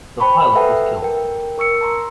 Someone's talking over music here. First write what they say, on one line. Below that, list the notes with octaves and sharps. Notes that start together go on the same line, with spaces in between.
The pilot was killed.
C5 G5 A5 B5 C#6
A4 B4 E5 F#5 G5 A5
A#4 G5
A#4 C#6 E6 C#7
A5 A#5 C6